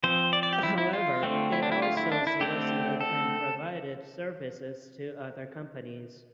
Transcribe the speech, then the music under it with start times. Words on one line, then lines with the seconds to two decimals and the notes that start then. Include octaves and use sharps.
However, it also solicited and provided services to other companies.
0.04 F3 C4 C5
0.33 D5
0.43 D5
0.53 G4
0.63 E4
0.78 E4
0.93 F4
1.23 D3 A3 C4
1.52 E4
1.63 D4
1.72 E4
1.82 F4
1.97 E4
2.12 D4
2.27 E4
2.40 D3 A3 C4 G4
3.01 A4